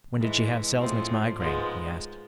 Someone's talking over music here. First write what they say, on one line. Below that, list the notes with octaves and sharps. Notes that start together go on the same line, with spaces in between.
"When did she have Selznik's migraine?" he asked.
G#2 E3 G#3
A2 F3 G#3 C4
G#2 F3 G#3 B3